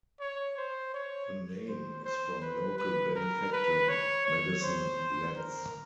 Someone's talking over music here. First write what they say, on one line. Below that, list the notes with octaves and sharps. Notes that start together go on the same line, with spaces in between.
The name is from local benefactor, Maddison Letts.
C#5
C5
C#5
C5
C5
B4
B4
A#4
B4
C#5
C#5
C5
A#4